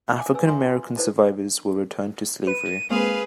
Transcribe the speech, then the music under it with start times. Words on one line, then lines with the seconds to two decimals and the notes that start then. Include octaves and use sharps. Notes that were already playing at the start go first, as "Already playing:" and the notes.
African-American survivors were returned to slavery.
0.16 E5 G#5 D6
0.34 B4 C#5 G#5 E6
0.47 C#5 E5 G#5 A#5 C6
0.64 F4
0.97 D#4 E4 A4 B4 C5 D5
2.47 B4 D#7
2.90 G#3 A#3 C4 G#4 B4 F5